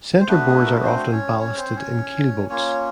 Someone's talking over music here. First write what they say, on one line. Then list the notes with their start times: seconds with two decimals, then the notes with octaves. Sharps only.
Centreboards are often ballasted in keelboats.
0.20 C5
0.28 A3 B3 D4 F#4 B4
0.47 G#4
0.56 A4
0.65 A#4
0.75 B4
0.83 C4 C5
1.11 C#4 C#5
1.39 C#4 C#5
1.57 C4 C5
1.75 C#4 C#5
2.49 A#3 C#4 F4 C#5